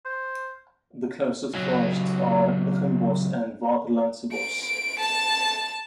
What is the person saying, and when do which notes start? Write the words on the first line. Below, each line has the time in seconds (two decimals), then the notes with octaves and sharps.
The closest forests are Beginbos and Waterlandsebos.
0.05 C5
1.54 C#2 F#3
4.32 D7
5.00 A5